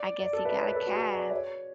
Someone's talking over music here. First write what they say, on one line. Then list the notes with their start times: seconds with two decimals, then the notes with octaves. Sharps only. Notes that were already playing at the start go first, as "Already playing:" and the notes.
I guess he got a cab
Already playing: D5
0.20 D5
0.33 A4
0.45 B4
0.57 C#5
0.68 B4
0.76 A4
0.86 F#4
0.94 G#4
1.13 D5
1.31 C#5